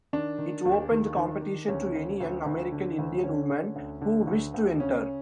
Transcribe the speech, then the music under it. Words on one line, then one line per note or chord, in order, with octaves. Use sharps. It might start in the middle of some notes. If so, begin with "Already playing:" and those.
It opened competition to any young American Indian woman who wished to enter.
D#3 D4
D#3
D#2
D#3
D#3
D#3
D2 C#4
D2
D2
D2
D3
D2
D3 C#4
D3
D2
D3
D2
D2
C#3 C#4